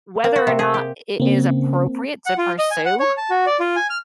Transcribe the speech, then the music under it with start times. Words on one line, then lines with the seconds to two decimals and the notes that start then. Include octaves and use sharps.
whether or not it is appropriate to pursue,
0.24 A#3
0.36 F#4
0.47 C3
0.59 G#4
0.74 G4
1.20 C#3 A#3 C4
2.26 F#5
2.38 F4
2.59 D#5
2.71 G#5
2.85 F#5
3.00 C#5
3.17 A5
3.30 F#4
3.46 D5
3.60 F4
3.76 G#5
3.90 F6